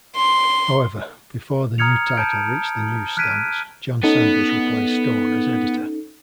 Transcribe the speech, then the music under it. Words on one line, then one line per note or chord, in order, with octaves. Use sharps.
However, before the new title reached the newsstands, John Sanders replaced Stone as editor.
C6
A#5 D#6 F6 G#6 C#7 F7
A5 G6 D7
F6 F#6 G#6 B6 D7 D#7
B3 C#4 D#4 A4